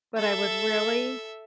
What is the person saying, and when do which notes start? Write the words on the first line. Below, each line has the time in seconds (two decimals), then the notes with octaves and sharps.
but I would really
0.17 A4 E5